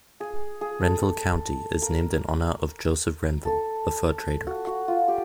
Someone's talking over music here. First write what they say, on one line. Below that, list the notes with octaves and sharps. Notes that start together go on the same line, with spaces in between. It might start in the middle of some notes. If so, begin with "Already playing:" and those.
Renville County is named in honor of Joseph Renville, a fur trader.
G#4
G#4
A4
A#4
A4
F#4
F#4
F4
G4